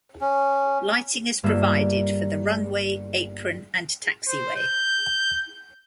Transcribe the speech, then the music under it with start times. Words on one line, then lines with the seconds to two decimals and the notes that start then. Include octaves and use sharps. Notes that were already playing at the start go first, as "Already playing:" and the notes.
Lighting is provided for the runway, apron, and taxiway.
0.21 C#4
1.43 G1 G2 A#3 A4 E5
4.28 C5
4.56 G6